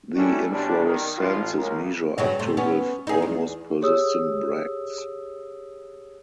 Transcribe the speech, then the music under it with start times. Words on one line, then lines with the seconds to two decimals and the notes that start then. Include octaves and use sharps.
The inflorescences measure up to with almost persistent bracts.
0.16 G3 A3 C#4 D4 E4 F#4
0.52 C3 G3 B3 C#4 D4
0.85 D#3
1.18 A1 F4
1.58 C#2 A#4
2.18 G2 C#3 F#3
2.39 C3 A3
2.57 B3 C#4
3.07 D#4 G#4
3.22 E2
3.81 G4 G#4 C#5 D#6 E6